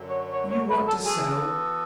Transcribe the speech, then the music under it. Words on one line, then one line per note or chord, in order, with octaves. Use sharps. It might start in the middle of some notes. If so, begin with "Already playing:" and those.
"Do you want to sell?"
Already playing: F#2 D3 F#3
C#5
C#5
C#5
B4
A4
E3 B3 F#4 G#4 A4